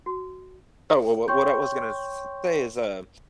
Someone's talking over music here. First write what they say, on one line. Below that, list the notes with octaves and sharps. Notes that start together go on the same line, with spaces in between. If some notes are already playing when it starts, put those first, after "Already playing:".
Oh, well, what what I was gonna s say is, uh,
F#4
C#5 G5 C6 C#6 G6